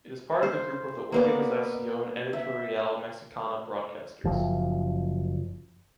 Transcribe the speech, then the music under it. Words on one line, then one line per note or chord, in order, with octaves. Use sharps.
It is part of the group of the Organización Editorial Mexicana broadcasters.
C5
A#3 B3 D5
E5
F#1 F3